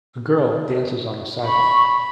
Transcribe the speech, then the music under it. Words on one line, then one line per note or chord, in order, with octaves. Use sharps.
A girl dances on a sidewalk.
B5 C#6